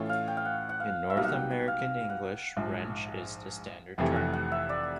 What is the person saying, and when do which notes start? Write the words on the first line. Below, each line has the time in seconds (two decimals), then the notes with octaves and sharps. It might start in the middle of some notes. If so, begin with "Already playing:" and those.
In North American English, "wrench" is the standard term.
Already playing: A2 E3 A3 C#4 F4
0.09 F5
0.28 G5
0.37 F5
0.45 F#5
0.69 F#5
0.80 F5
1.10 E5
1.15 B1 B2 G3 A#3 D#4 F5
1.25 F#5
1.32 G5
1.51 F#5
1.68 F5
2.09 F#5
2.57 A#1 G#2 F3
3.98 F1 F2 C3 E3 A3 G5
4.16 F#5
4.33 F#5
4.52 E5
4.69 D5